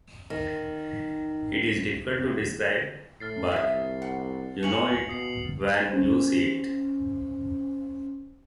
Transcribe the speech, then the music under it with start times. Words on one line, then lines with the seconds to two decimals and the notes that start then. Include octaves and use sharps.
It is difficult to describe, but you know it when you see it.
0.30 D#3
3.20 A2 F6 A6 C7
3.52 C2 E5 D#6
4.02 F#5
4.63 F5 G#5 C#6 C#7 F7 F#7
5.09 B2 D#6 C7
5.91 C#4 C5